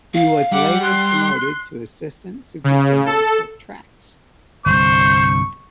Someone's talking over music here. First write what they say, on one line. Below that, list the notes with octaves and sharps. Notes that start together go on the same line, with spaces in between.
He was later promoted to assistant superintendent of tracks.
F5
G3 F#5 D6
C6 F#6
C#3
A4
G1 C2 C5 C#6